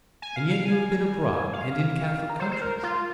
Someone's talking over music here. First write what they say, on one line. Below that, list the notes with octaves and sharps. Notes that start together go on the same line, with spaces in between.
"And yet you have been abroad, and in Catholic countries?"
G#5
F5
F5
G#5
F5
A#4
C5
C5
A#4
F4